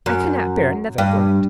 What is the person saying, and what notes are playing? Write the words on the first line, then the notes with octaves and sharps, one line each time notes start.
I could not bear another word.
F#2
G2